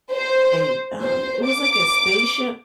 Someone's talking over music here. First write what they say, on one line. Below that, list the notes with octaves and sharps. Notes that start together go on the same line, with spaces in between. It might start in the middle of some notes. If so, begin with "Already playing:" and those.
a um, it was like a spaceship
C5
C5
D6